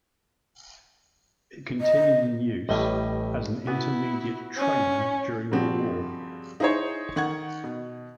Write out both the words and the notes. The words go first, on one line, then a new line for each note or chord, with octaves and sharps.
It continued in use as an intermediate trainer during the war.
D#5
A1 A2 G3 A3 B4 D#5
B3 E4 F#4 G#5
C#4
G2 C#3 F3 C4 F#4
D#4 E4 G#4 C5 C#5
D#3 F#5 C#6 G#6
B2